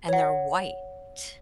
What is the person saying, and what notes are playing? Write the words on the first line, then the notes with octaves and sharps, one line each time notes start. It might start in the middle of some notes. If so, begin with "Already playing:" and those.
and they're white,
C#5 F#5